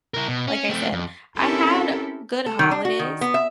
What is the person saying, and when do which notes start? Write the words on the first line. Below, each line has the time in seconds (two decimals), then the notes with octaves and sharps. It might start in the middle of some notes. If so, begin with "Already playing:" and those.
Like I said, I had good holidays,
0.14 E4 A#4
0.28 B2
0.47 C#4
0.69 A3 C4
0.93 F2
1.38 C4 C#4 E4 G4 A4 A#4
2.46 A4
2.59 D#3
2.71 D4
2.85 F#4
2.99 D#3
3.21 B3
3.34 E5